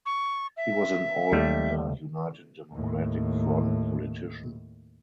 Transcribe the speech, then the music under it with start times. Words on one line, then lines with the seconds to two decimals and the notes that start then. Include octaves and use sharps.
He was an All India United Democratic Front politician.
0.06 C#6
0.57 E5
1.32 D#2 G3 A3
2.72 D#2 A2